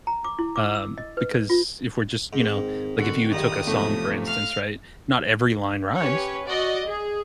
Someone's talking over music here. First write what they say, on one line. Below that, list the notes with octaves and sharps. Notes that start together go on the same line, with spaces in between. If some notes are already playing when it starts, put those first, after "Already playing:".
Um, because if we're just you know, like, if you took a song, for instance, right? Not every line rhymes.
A#5
D6
E4
D6
E6
D#5
B4
F4
G#2 D#3 G#3 C4
D3 F#4
A#1 G2 D#3 G4 D#6
E2 A2 C3 F3 A3
F5
C#4 G4 B4 C#5
F#4 D5 D#5
G#4